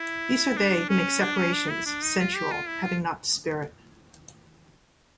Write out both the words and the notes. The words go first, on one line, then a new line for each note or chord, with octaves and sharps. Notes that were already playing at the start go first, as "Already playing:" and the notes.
These are they who make separations, sensual, having not the Spirit.
Already playing: E4
D4
C#4
D4
C#4
D4
E4
D4
D#4
F4
G4
F4
E4
F4